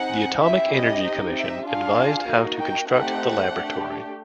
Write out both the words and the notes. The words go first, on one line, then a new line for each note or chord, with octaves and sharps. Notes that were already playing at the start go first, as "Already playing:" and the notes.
The Atomic Energy Commission advised how to construct the laboratory.
Already playing: C4 D#4 G#4 F#5
C#4 E4 G4 E5
D#5
C4 D#4 G4
E5
D4 F4 G#4 F5
A#3 D#4 F#4
G5
A3 C4 D#4 G4 F#5
A3 D4 G4